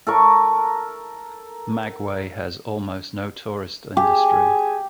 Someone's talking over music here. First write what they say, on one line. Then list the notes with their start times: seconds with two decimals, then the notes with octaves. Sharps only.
Magway has almost no tourist industry.
0.07 A4 A#4 C#6
3.97 G4 G#4 G#5